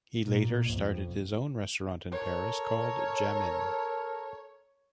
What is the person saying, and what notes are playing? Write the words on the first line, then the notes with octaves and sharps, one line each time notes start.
He later started his own restaurant in Paris called "Jamin".
A#2
F2
A4 A#4 C#5